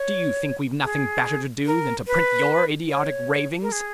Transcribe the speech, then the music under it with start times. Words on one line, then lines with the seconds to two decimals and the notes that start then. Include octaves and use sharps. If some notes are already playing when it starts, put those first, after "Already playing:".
Do you think we've nothing better to do than to print your idiotic ravings?
Already playing: C#5
0.84 G#4
1.66 A#4
2.07 B4
2.89 C#5
3.62 A#4
3.72 G#4